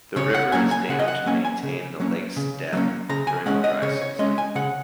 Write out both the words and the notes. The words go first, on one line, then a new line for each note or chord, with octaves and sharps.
The river is dammed to maintain the lake's depth during the dry season.
C#3 C#5
F#5
F#3 A#3 C#4 G#5
G#5
C#3 F#5
D#5
F#5
F#3 A#3 C#4 G#5
G#5
C#3
F#3 A#3 C#4
C#3
F#3 A#3 C#4
C#3 A#5
G#5
G#3 C#4 F#5
D#5
C#3 C#5
C#5
G#3 C#4 D#5
G#5
C#3 F#5